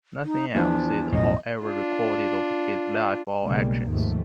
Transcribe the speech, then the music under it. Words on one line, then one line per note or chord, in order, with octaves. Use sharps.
Nothing else is however recorded of his life or actions.
D#4
E2 F3 D4
B1 F#2 A2 D#5
D4 F4
B1 C#3 G3 G#3 A#3
D#2 G#2 C3 F3 A3